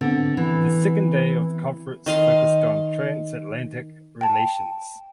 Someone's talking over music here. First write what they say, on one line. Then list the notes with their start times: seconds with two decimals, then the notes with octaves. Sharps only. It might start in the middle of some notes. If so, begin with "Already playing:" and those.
The second day of the conference focused on transatlantic relations.
0.01 D3 B3 C4
0.37 E3
2.06 D#3 D#5 F5 C6
4.21 G5 A5